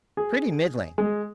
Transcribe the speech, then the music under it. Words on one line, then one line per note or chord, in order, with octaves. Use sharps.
"Pretty middling."
G#4
G#3